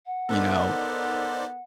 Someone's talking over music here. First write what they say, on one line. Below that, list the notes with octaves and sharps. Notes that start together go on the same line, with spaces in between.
you know,
F#5
B3 D#4 A4 A#4 C5 D5